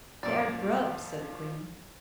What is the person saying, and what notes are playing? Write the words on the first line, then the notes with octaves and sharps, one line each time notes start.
"They are Grubs," said the Queen.
F#2 A#2 F3 D5